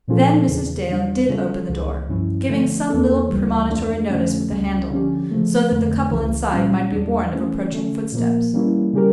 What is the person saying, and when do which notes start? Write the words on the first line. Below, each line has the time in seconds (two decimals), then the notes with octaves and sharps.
Then Mrs. Dale did open the door, giving some little premonitory notice with the handle, so that the couple inside might be warned of approaching footsteps.
0.08 A#2 F3 C#4 F4 A4
0.48 E2 C#3 E3
0.88 E2 E3 G3 D4
1.29 C#3 G3 C#4 F4 A4
1.69 C#2 C#3 E3
2.09 G2 F3 C#4 E4
2.49 D3 F3 A3
2.89 E2 E3 A#3 D4 A4
3.29 D2 C#3 E3 G3
3.70 F2 E3 A3 D4 F4
4.10 F2 D3 F3 A3 C#4
4.50 C#2 C#3 G3 C#4
4.91 D3 F3 C#4 G4
5.31 C#3 F3 A3
5.71 F2 D3 A3
6.11 C#2 C#3 E3
6.51 A#2 G3 C#4 F4
6.92 E2 E3 G3 D4
7.32 E3 A3 C#4
7.72 D3 A3 C#4
8.12 A#2 F3 A#3
8.53 E3 G3 A#3 C#4 E4
8.93 C#3 G3 C#4 G4 A#4